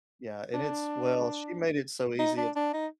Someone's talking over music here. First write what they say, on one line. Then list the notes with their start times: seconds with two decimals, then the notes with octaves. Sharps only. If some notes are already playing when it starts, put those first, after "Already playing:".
Yeah, and it's well, she made it so easy it's
0.54 D4
2.19 D#4
2.37 D4
2.56 D4
2.73 D#4